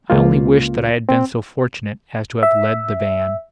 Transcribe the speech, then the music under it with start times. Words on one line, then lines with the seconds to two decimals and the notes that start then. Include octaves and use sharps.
I only wished that I had been so fortunate as to have led the van.
0.10 C#2 A#3 F4
1.09 C4
2.43 E5